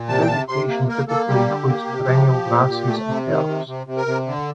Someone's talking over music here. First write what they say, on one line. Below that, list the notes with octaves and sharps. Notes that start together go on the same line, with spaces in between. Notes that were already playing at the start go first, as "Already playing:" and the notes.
Vegetation typically includes perennial grasses and herbs.
Already playing: A#2
C3 A5
G5
C3 A5
C3 C6
A#3
A#3 A#4
A#3 A4
G3 G4
D3
A#3
C3
F3
F3
A#2
A#2
A3
C3
D#3
C3
C3
C3
A#4
C3
D3